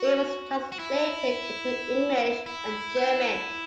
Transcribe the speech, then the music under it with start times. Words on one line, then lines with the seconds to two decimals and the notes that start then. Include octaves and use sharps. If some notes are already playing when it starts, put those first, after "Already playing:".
It was translated into English and German.
Already playing: F#4
0.72 F#4
0.79 E4
2.46 E4